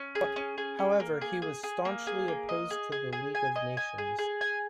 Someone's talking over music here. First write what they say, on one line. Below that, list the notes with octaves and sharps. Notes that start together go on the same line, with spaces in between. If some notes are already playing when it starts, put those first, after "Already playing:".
However, he was staunchly opposed to the League of Nations.
Already playing: C#4
G#4
C#4
G#4
C#4
A#3
G#4
G#4
G#4
A#3
G#4
A#3
D#5
G#4
G#4
G#4
G#5
D#5
G#5
G#4
G#4
G#5